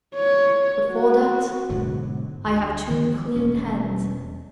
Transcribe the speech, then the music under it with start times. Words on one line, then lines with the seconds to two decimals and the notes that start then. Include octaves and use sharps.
But for that I have too clean hands.
0.15 C#5
0.92 F#4
1.69 G#2 B2 D3 F#3
2.45 D2
2.90 D#3 F3 G#3 B3
3.36 E1 C#4